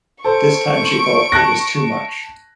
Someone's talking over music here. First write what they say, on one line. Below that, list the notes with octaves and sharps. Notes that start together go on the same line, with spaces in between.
This time she felt it was too much.
A4 C5 C#6 D7
A5 F#6 A#6